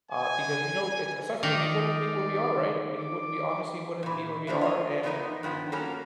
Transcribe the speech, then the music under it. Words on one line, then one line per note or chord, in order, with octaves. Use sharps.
uh, because, you know, it's aside from that, we wouldn't be where we are, right? We would We honestly wouldn't be where we are, and
G#5
D#3 D#4 D5
D6
A#2 E3
F3 A#3 D4 E4
F4 C#5 D#5
E3 F3 B3 D#4 A#4 D#5
G2 D#3 F3 B3
F#3 G3 A#3 C#4 A4 A#4